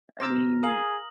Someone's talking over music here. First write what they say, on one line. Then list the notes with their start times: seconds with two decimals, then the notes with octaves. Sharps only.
I mean
0.20 C5 A#5 D6 E6 F6 A#6
0.63 G#4 A#4 F5 D#6 F#7